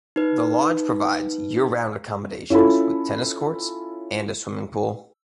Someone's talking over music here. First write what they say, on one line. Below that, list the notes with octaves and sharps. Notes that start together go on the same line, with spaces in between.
The lodge provides year-round accommodations with tennis courts and a swimming pool.
D#4 B4
C#4 E4 F4 A4 B5